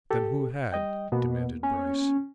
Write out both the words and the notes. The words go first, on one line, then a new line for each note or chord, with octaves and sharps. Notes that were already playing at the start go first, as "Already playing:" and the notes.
"Then who had?" demanded Bryce.
G4 A4
G3 D#5 G5
B2 A#3 B3
C#4